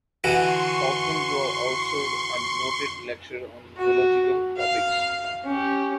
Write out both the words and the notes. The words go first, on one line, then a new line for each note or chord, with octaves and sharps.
Hawkins was also a noted lecturer on zoological topics.
D3 E3 F#4 C6 C#6
F#4
F5
C#4 G4